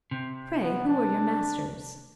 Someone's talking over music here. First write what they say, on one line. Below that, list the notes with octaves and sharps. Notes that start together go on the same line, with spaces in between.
Pray who were your masters?'
C3
B3
D4